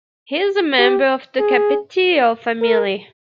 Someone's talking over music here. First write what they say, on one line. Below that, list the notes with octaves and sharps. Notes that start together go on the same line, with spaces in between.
He is a member of the Capetillo family.
G4
G#4
A#4